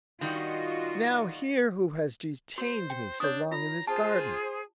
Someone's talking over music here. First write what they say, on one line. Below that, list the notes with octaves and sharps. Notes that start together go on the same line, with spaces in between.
Now hear who has detained me so long in this garden.
D#3 G3 F4 F#4 D#5
F#4 C5
G5
D4 C#5 D#6
F4 A#5
F4 G#4 C5 A5